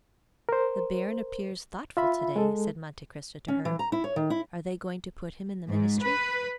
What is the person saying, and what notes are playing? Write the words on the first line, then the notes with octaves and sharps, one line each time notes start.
"The baron appears thoughtful to-day," said Monte Cristo to her; "are they going to put him in the ministry?"
A#4 C5
F4 E5 B5
G#3 A4
C#4
E3
A#5
E4
C#5
D#3
E4
G#2
B4